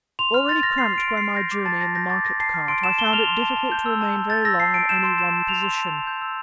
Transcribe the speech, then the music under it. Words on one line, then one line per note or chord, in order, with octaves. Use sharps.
Already cramped by my journey in the market-cart, I found it difficult to remain very long in any one position.
C6 F7
F6
C6 A6
F6 A#6
C6 C7
F6 D7
C6
F6 C7
G6 A#6
D6
A5 A6
A5 A#6
G6 A#6
D6 A6
A5 A#6
A5 C7
F6
C6 D7
A5 E7
A5 G7
F6 F7
C6
A5
A5
G6
E6
A5
A5
G6 A6
E6 A#6
A5 C7
A5 D7
G6 E7
C6
A5 E7
A5
G6 F7
C6
A5
A5
G6
E6